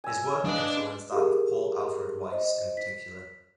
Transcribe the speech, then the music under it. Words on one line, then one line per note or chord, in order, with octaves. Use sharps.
His work influenced that of Paul Alfred Weiss in particular.
G#5 E6
D4 B4 D#5 F5 A5
G4 G#4 A#4
C5 D#5
B6